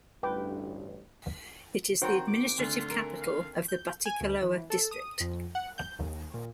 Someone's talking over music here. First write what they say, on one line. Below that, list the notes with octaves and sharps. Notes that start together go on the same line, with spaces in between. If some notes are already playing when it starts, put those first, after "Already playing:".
It is the administrative capital of the Batticaloa District.
A1 D2 G2 B4 G5 D6
D#3 C4 F#4 C5 C#5 F#5 G5 A#5
D6
D2 D3 F4
A#4
F5
G6
G#5
D2
E3
A4
D#6
F2
F#5
G6
D#2
A#2